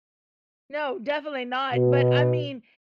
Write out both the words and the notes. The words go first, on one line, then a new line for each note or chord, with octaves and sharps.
No, definitely not, but, I mean,
B2